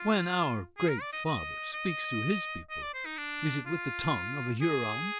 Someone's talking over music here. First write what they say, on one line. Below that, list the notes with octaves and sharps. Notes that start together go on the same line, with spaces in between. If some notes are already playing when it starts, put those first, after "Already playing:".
"When our Great Father speaks to his people, is it with the tongue of a Huron?"
Already playing: F4
G#4
A#4
D5
D#5
D#5
D#5
D#5
D5
C5
D#4
D4
F4
G#4